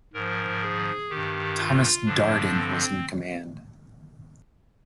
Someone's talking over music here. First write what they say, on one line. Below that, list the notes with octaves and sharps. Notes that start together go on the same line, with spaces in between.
Thomas Darden was in command.
G#2 F3 A#4
G#4
G2 D#3 G4
F4
G2 D3 F3 D4
C4